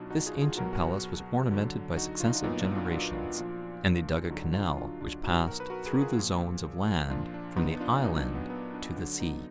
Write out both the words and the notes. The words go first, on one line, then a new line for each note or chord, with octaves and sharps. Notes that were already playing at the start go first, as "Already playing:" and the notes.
This ancient palace was ornamented by successive generations; and they dug a canal which passed through the zones of land from the island to the sea.
Already playing: B2 F#3 D4 D#4 F4 F#4
D#4 F#4
F4 G#4
F4 G#4
B2 F#3 F#4 A#4
F#4 A#4
D3 F#3
D#4 F#4
F4
D#4
D4 F4
A#2 F#3 B3 D#4
D4 F4
D4 F4
F#4
D4 F4
D4 F4
A#2 F3
D3 F#3 D#4 F#4
D4 F4
D4 F4
D4 F4
B2 F#3 D#4 F#4
F#4 A#4
B4
F#4 A#4
G#4 B4
A#4
F4 G#4
A#2 F3
A#2 F3 D4 F4
D4
B3 D#4
D4 F4
A#2 F#3 B3 D#4
D4
B3
B3
D4
D3 F#3 D4
B3 D#4